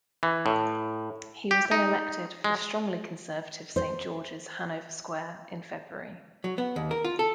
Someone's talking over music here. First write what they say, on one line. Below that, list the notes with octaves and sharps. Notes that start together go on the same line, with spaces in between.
He was then elected for the strongly Conservative Saint George's, Hanover Square, in February.
E3
A2
G4
D#4
G#3
C5
F#3
B3
D#2
A#4
F4
A4